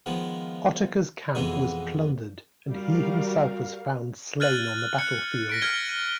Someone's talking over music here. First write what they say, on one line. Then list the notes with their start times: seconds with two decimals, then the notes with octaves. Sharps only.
Ottokar's camp was plundered, and he himself was found slain on the battlefield.
0.06 D#3 F3 G#3 B3
1.35 F2 B2 E3 G#3 B3 G#4
2.72 G3 F#4 A#4 F5
4.40 F6 F#6 G#6 A6 D#7 F#7
4.99 F#6 C#7
5.50 A#6 B6 D7
5.61 F6 G#6 D#7 G7
5.89 D#7